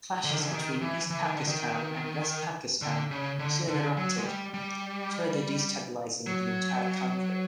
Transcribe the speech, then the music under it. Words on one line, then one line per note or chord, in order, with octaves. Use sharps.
Clashes between East Pakistan and West Pakistan soon erupted, further destabilising the entire country.
D3
D#3
D3
E3
D#3
E3
E3
D#3
D3
D#3
D3
C#3
D3
D3
F#3
G#3
G3
G3
F#3